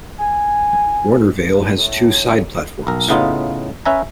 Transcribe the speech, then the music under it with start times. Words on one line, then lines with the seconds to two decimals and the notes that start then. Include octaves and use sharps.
Warnervale has two side platforms.
0.19 G#5
1.78 A2
2.87 B1 A#4
3.09 A2 C#3 B3 D#4 F4
3.85 C#4 B4 E5 G#5 A#5